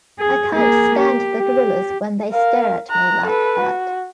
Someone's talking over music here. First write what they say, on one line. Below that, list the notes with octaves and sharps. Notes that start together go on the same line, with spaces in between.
I can't stand the gorillas when they stare at me like that.
G#4
A#3 G#4
G4
G4
A#4 F5
A#5 F#6
A4 B4
F#4